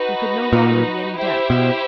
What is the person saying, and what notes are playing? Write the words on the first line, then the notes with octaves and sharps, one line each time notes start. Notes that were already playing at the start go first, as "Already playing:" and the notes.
There could no longer be any doubt.
Already playing: D#4 F#4 B4
A#2
E4 G4 C5 E5
B2